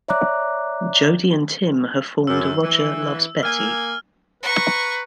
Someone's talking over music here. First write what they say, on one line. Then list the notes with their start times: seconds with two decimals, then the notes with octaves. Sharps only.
Jodi and Tim have formed "Roger loves Betty".
0.08 C#5 D5 E5 A#5 D6 F#6
2.27 F#2 E6
2.63 E3
3.43 A#3 G#5 F6
4.43 B4 A#5 C#6